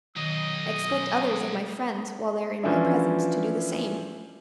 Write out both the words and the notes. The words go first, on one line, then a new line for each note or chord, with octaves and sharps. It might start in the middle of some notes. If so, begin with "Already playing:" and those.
I expect others of my friends, while they are in my presence, to do the same.
B1 D#3 D#5 D#6
E3 F3 C#4 D4 E4